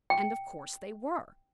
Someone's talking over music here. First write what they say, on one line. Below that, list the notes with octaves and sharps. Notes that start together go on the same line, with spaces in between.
And of course they were.
G5